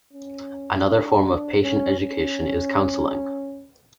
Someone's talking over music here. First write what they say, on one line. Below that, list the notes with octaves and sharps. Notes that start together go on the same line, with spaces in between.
Another form of patient education is counseling.
C#4
D4
C#4
C#4